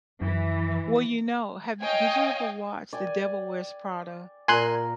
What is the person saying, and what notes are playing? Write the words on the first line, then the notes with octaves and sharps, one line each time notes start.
Well, you know, have yo did you ever watch The Devil Wears Prada
F#2 E3
C#5 D#5 F5 G5 G#5
D5 G5 G#5
A#2 A#4 G#5 C6 F#6